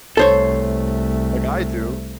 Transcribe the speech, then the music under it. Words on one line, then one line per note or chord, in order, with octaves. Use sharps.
Like I do.
C2 A3 A4 C5 C#5